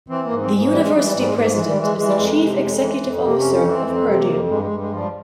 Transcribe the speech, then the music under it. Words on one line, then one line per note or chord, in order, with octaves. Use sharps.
The university president is the chief executive officer of Purdue.
E3 C4
A#3
G#2
C4
G#2
E3 G3
G#3
E3 G3
G3
G#2 G3
G#3
G#2 A#3
A#3
G#3
E3
G3
E3
G#3
E3 G#3
G3
F2 G#3
C3
F2
E3
F2
C3 A#3
C#4
F2
C#4
E3 C4
F2 C4
C3 C4
A#3
F2
G2 G#3
G#3
G2
G#3
F3 G3